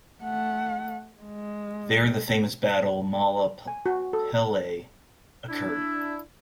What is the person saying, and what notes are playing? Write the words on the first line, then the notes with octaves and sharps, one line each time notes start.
There the famous battle "Mala Pelea" occurred.
A3 F#5
G#3
G#5
F#4
A4
D4 E4